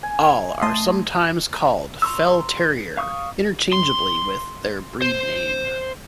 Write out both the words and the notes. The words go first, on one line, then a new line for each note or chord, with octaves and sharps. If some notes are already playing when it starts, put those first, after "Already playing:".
All are sometimes called "Fell Terrier" interchangeably with their breed name.
G#5
A3 D#5 E5 A5 C6 D#6
A#5 C6 C#6 E6
F5 C#6 D#6
C6
C5